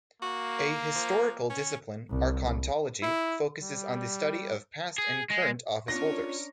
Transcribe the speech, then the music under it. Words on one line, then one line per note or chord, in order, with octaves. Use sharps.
A historical discipline, archontology, focuses on the study of past and current office holders.
A#3 F#4
F3
C#4
C2
E4
G3
G#4
G#3
C#4 D4 F4 A#4 C#5 A#6